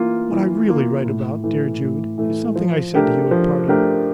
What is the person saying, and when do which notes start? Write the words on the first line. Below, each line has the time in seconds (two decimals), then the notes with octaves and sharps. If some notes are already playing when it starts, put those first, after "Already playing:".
What I really write about, dear Jude, is something I said to you at parting.
Already playing: E3 A#3 F4
0.31 E3
0.69 A#3 F4
1.05 A2
1.44 E3 A3
1.80 A2
2.18 E3 A3
2.56 F3
2.94 A3 D4 G4 A#4
3.31 F3
3.68 A3 D4 G4 A#4